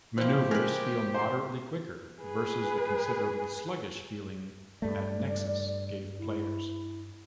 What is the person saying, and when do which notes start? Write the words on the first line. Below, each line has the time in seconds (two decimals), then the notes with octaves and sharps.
Maneuvers feel moderately quicker versus the considerably sluggish feeling that "Nexus" gave players.
0.18 F3 E4 G4 C5
0.51 G#3 A#4 B4
1.14 C5 C6
2.22 G#4 B4
4.82 G2 A3 D5
6.19 E4